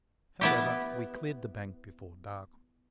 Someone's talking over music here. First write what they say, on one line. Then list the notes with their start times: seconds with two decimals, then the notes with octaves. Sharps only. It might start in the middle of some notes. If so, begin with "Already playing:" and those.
However, we cleared the bank before dark.
0.41 B3 E4 G4